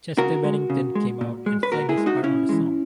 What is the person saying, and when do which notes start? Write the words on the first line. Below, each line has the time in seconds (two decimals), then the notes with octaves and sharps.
Chester Bennington came out and sang his part on the song.
0.18 C#3 F#4 A#4
0.44 G#3
0.70 C#3
0.95 G#3
1.21 A#2
1.46 G#3
1.63 B4
1.72 A#2 F#4 A#4
1.89 E4 G#4
1.97 G#3
2.06 D#4 F#4
2.23 C#3 C#4 E4
2.49 E3 G#3